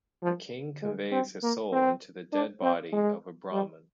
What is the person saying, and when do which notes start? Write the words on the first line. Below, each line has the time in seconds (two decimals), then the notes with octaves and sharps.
A king conveys his soul into the dead body of a Brahman.
0.22 F3
0.82 G#3
1.12 C4
1.43 A#3
1.72 C4
2.33 D4
2.62 C4
2.92 G#3
3.52 G3